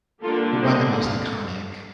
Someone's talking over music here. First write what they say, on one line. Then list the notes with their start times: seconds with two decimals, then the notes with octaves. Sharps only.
one of the most iconic,
0.23 D3 G3 A#3 D4 F4 A4
0.61 C5 D#5
1.00 F5